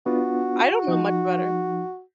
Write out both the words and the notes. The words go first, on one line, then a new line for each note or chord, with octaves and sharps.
I don't know much about her.
B3 D4 F4 F#4
F3 D#4